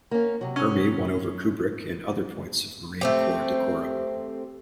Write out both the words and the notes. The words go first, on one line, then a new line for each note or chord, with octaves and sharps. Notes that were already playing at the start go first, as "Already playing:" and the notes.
Ermey won over Kubrick in other points of Marine Corps decorum.
A#3 C#4
C3 F#3
C#4
A3 C4 G4